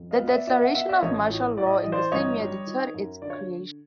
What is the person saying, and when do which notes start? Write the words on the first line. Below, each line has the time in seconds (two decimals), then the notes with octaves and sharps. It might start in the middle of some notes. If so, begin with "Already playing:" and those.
The declaration of martial law in the same year deterred its creation.
Already playing: F2
0.11 D#5 F5
0.20 B3
0.29 D5 E5
0.47 B3 D5 E5
0.61 E5 F#5
0.75 B3 E5 F#5
0.89 D5 E5
1.02 A1 C#5 D#5
1.30 A2
1.57 A2 D5
1.66 D#5
1.74 D5
1.84 E3 D#5
1.92 C5 D5
2.12 G1 C#5 D#5
2.40 G3
2.67 D#3
2.94 F#2
3.22 D3 D5
3.30 C#5